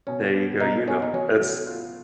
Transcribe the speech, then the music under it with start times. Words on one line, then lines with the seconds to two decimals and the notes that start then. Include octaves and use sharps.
There you go, you know. That's
0.07 B2 C#4
0.33 B3
0.60 B2 D#4
0.88 B3 C#4
1.02 D#4
1.13 F#3 C#4
1.40 F#3
1.67 F4